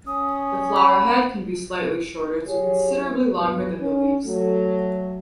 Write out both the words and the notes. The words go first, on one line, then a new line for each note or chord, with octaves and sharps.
The flower head can be slightly shorter to considerably longer than the leaves.
C#4 D#6
C#5 F#5 B5
F#3 E4 G4 G#4 C#5
G2 B2 B4
C#4
F#3 A3